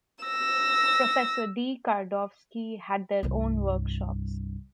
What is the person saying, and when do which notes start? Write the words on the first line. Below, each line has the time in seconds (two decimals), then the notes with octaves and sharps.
Professor D. Kardovsky had their own workshops.
0.25 E6 A#6
3.23 C2 G2